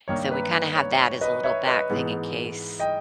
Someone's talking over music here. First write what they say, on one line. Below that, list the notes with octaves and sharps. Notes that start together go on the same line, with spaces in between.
So, we kinda have that as a little back thing in case.
G2 D#3 A#3 C#5
B4
C#5
C#5
B4 D#5
C#5 E5
B4 D#5
G#2 E3 G#3 B3
D#5 G5